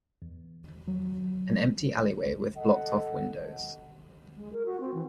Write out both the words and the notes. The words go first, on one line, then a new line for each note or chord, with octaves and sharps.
An empty alleyway with blocked off windows.
E2
F#3
A4 D#5 F#5
G#3
A#4
F#4
C4
E3